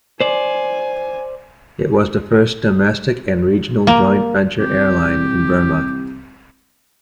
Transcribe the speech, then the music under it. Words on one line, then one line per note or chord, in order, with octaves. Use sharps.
It was the first domestic and regional Joint Venture Airline in Burma.
C5 D5 G#5
A#3
C2 G4